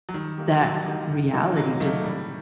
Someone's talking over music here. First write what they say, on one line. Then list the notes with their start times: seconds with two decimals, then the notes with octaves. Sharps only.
that reality just
0.09 F#3
0.14 D#3 G3
0.38 A#3 D#4 G4
0.61 F#3 G3
0.85 A#3 D#4 G4
1.09 D#3
1.33 F#3 A#3 D#4
1.57 D#3 F#3
1.80 F#3 A3 A#3 D#4
2.04 A2 G3